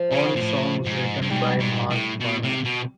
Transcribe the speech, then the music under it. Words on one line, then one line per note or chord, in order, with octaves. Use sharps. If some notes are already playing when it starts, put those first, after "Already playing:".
All songs written by Mark Farner.
Already playing: F3
C#3
A#2
A2
G#2
G2
G#2 G3
G#2
A2
B2
C3
B2